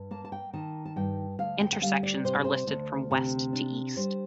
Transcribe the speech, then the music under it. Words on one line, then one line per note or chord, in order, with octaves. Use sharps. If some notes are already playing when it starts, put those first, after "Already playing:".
Intersections are listed from west to east.
Already playing: G2
A#3 A5
A5
G5
D#3 A5
A5
G2 G5
D2 F5
G5
G5
G3 F5
D5
C3 C5
D5
C5
D2
C3
D4
G3 C5